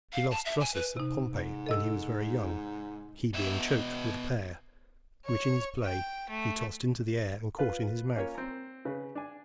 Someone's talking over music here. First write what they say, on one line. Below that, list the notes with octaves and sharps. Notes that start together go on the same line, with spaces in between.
He lost Drusus at Pompeii, when he was very young; he being choked with a pear, which in his play he tossed into the air, and caught in his mouth.
F5
A5
E5
G#5
B4
C3 D#4
G#2
A4 D#5 E6
B2 E5
C#5
G5
A3
F4 B4
A#3 C#4 F4 A#4 C#5
C4 A#5
C#3 B4
D4 G#5